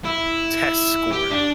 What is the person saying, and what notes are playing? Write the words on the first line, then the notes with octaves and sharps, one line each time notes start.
test score,
E4
G4
D4